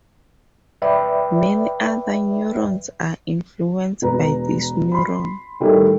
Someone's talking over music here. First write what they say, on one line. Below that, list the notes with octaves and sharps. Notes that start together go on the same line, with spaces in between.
Many other neurons are influenced by this neuron.
B4 D5 E5 G5 B5
E1 B4 A#5
B5 C6
A2 D#3 G3 A3 E4 G4